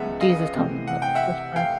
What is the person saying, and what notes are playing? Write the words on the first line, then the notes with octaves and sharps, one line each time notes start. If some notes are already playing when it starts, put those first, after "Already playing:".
Jesus talked about the first press.
Already playing: C#2 C#3 F3 G#3 B3 E5 F#5
D#5 F5
C3 E3 A3 C4
F#5
G5
E5 F#5
F5 G5